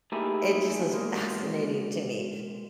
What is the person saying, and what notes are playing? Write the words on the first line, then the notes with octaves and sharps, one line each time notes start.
it just was fascinating to me.
A3 A#3 D#4 E4 G4 G#4
B2 G#3 A#3